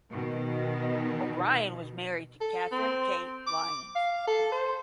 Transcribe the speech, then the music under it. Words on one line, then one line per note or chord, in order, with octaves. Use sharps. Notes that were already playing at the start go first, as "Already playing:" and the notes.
O'Brien was married to Catherine "Kate" Lyons.
B2 D#3
A4
C4
D6
F5
A4
C5